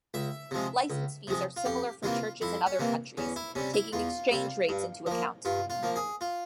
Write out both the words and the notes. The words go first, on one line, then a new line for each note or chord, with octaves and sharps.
License fees are similar for churches in other countries, taking exchange rates into account.
C#2 E5
C3 F3 G#3
C#2
C3 F3 G#3
F4
F2 G4
C3 E3 A#3 F4
F2 E4
C#4
C3 E3 A#3
E2 C#4
E4
C3 G3 C#4
E4
E2 F4
C3 G3
G2
F3 A#3
G2 F4
F4
F3 A#3
G#4
F4